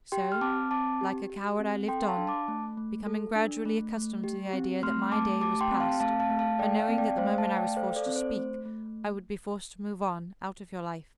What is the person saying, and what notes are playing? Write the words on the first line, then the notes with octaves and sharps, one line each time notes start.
So, like a coward, I lived on, becoming gradually accustomed to the idea that my day was past, but knowing that the moment I was forced to speak, I would be forced to move on out of your life.
G4 G5 C6
F6
C4 A5 D6
C4 A5 D6
G4
G4
C4
A4 G5 C6
C6
F5 A5
D4
A5 D6
A3
A3
A4
D4
A3
A3
G4
C4
A3 C6 F6
A3 A5 D6
G4 A5 D6
G5 C6
C4
F5 A5
A3 F5 A5
F5 A5
A3
F5 A5
A4 D5 G5
F5 A5
C4
D5 G5
A3 C5 F5
F5 A5
A3
D5 G5
A4 C5 F5
A4 D5
C4
C5
A3
A3